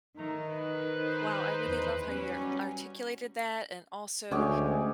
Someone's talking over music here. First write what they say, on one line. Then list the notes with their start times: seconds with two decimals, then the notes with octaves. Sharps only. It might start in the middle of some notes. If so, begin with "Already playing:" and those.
Wow, I really love how you're articulated that and also
0.17 D#3 A3 A#5
0.49 B4
0.91 D#4 C5
1.65 E2
2.07 F#3 G3 C#4
4.31 D2 G#3 C#4 G4